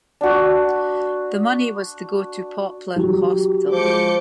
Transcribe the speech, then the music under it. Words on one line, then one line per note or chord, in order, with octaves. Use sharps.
The money was to go to Poplar Hospital.
D4 F#4
F#3 G4
F3 G#3 D6 G6 C#7